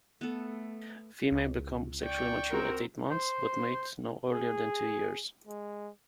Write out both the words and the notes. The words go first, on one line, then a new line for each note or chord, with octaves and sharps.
Females become sexually mature at eight months, but mate no earlier than two years.
A3 B3 A4
C#2
D5 G5 C#6
C4 F#4 A#4
C5
G#4
G#3